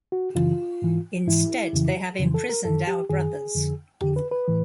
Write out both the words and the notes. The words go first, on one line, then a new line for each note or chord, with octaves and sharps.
Instead they have imprisoned our brothers.
F#4
F#2 C#3 E3 F4
G#2 E3
G#2 E3 E4
F2 C#3 E3
F2 C#3 E3
A4
A#4
F#2 D#3 A4
G4
F#2 D#3 G#4
F2 D3
F2 D3 G4
B4
B4
A2 E3